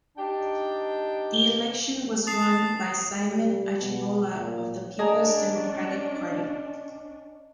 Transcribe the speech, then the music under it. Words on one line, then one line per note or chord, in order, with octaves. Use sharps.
The election was won by Simon Ajibola of the Peoples Democratic Party.
D4 D#4 G4 G5 A5
A5 D#6 C7
G3
B2
A#2
C#4 D4 G#4 D5 D#5 A5 A#5